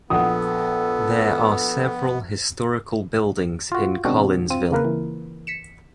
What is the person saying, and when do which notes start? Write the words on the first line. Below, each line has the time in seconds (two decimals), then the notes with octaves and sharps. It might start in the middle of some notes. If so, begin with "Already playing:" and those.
There are several historical buildings in Collinsville.
0.10 A#1 B3 A4 F#5 D#6
3.72 F4 F#4
4.04 B2 D#3 G#3 C4 D4 F#4
4.50 C4 F4 D#7
4.71 C#3 A#3 A#4 B4
4.84 E3
5.47 B6 C#7 E7